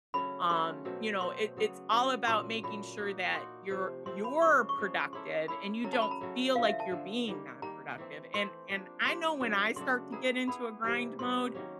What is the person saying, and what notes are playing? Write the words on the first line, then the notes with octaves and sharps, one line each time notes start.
um, you know, it it's all about making sure that you're you're productive, and you don't feel like you're being nonproductive, and and I know when I start to get into a grind mode,
C#3 F#3 A3 C#4 B5
C#3 F#3 A3 C#4 C6
B2 F#3 A3 C4
B2 F#3 A3 C4 C6
C#3 F#3 B3
C#3 F#3 B3
A#2 F#3 A3 C6
A#2 F#3 A3 B5
A#3 D#4 F#4
A#3 D#4 F#4 C6
C3 F3 A3 C4
C3 F3 A3 C4 C6
B5
C#3 F3 G#3 C#6
C#6
C#3 F3 G#3
A#3 C#4 E4 A4 C6
A#3 C#4 E4 A4 B5
C#3 F#3 A3 C#4 A#5
A5
B5
A#5
C#3 F#3 A3 C#4
D3 F3 A3 F5
E5
A5
D3 F3 A3
D#3 G3 A#3
D#3 G3 A#3 A#5
E3 A3 C4
E3 A3 C4 C6
F3 A#3 D4 G4
F3 A#3 D4 G4 C6
C#3 F#3 A3 D4
C#3 F#3 A3 D4 C6
B3 E4 G#4 A#5
B3 E4 G#4 B5
C3 E3 G3 A#3
C3 E3 G3 A#3 C6
D#3 F#3 A#3 C#4